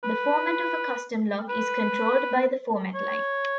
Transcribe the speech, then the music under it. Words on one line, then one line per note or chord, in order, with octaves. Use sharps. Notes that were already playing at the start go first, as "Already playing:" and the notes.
The format of a custom log is controlled by the format line.
B4
B4
C#5